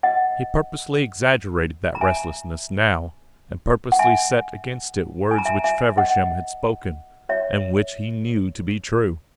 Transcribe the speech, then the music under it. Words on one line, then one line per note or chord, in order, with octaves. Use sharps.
He purposely exaggerated that restlessness now, and purposely set against it words which Feversham had spoken and which he knew to be true.
D#5 F#5
A#5
E5 G#5
F#5
E5 G#5
G#5
A#5
E5 G#5
E5 G#5
D#5 F#5
C#5 E5